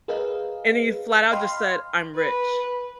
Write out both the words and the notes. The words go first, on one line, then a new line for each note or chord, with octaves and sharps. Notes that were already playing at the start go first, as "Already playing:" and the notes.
and he flat out just said, "I'm rich."
G#4 A#4 B4 D#5 F5
D#5 F5 G5 B5 C6 F6
B4